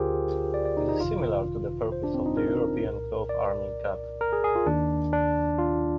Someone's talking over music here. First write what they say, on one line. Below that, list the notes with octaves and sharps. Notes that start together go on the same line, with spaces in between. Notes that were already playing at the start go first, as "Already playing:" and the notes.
This is similar to the purpose of the European cloth arming cap.
Already playing: D2 D3 F4 G4 G#4 A#4 C5
D5
D5
D#4
D#4
G1 F2 C3 D#3 F4
C5
D4
C4
D#4
A#4
C2 A#2
D5
A#4
G#4
G#4
F4
D#2 D#3 D4
D4
F4